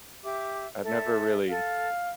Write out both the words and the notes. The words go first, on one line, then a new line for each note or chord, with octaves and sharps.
I've never really
G4 E5 D6
A4 E5
A4 F5